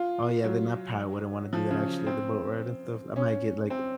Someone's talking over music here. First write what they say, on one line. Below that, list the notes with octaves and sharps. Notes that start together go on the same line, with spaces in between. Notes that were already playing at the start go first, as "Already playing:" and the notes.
Oh, yeah, then I probably wouldn't wanna do that actually, the boat ride and stuff. I might get, like,
Already playing: F4
F#3
F3
C#3
C4
C#4
C4